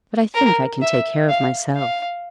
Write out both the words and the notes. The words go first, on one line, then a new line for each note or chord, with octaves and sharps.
But I think I can take care of myself.
A#4
E5
F5
F5